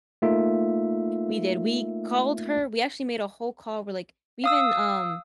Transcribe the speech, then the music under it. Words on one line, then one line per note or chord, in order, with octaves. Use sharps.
We did, we called her, we actually made a whole call where, like we even, um
A3 A#3 D#4 F4 A#4 E5
F5 D#6 E6